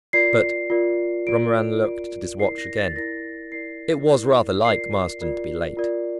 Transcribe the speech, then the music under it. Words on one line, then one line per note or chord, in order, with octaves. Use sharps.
But--Romarin looked at his watch again--it was rather like Marsden to be late.
F4 A#4 D5 C7
F4 A#4 D5
F4 A#4 D5 D7
F4 A#4 D5
E4 A#4 D5 C7
A#6
A6
E4 A#4 D5 A#6
E4 A#4 D5 C7
E4 A#4 D5
F4 A#4 D5 C7
F4 A#4 D5
F4 A#4 D5